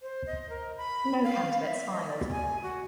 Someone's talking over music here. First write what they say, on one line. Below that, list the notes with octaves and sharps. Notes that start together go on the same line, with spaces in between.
No candidates filed.
C5
D#5
A#4
B5
F5
E5
D#5
D5
G#5
F#4